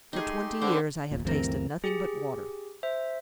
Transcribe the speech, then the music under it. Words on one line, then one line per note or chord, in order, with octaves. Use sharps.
"For twenty years I have tasted nothing but water."
A3 D#4 G4 G#4 C6
D3 B3 C5 D6
G1 D#2 A#2
D2 G2 E3 A3 C4 A#4
G4 G#4
C5 E5